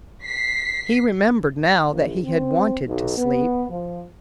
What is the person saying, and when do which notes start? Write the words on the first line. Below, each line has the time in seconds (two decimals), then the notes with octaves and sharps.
He remembered now that he had wanted to sleep.
0.23 B6 C7
1.89 A#1
2.24 C4
2.86 B1
3.18 B3
3.69 F3